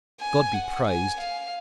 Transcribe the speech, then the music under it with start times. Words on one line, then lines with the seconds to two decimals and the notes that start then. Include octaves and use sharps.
God be praised!
0.21 G#5
0.54 F#5
0.87 G#5
1.20 F5